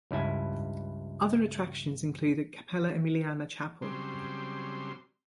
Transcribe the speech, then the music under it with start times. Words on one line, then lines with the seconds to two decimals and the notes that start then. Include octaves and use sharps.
Other attractions include the Cappella Emiliana chapel.
0.11 C#2 G2 E4 G#5
3.82 C#3 F#3 G3 C4 C6